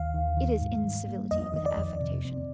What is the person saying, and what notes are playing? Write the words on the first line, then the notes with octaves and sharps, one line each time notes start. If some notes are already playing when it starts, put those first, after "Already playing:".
It is incivility with affectation.
Already playing: D#2 F5
D#3
D#3
G#2
G3
A#3
F2 D#5
D#3
D5
F2
C3
C4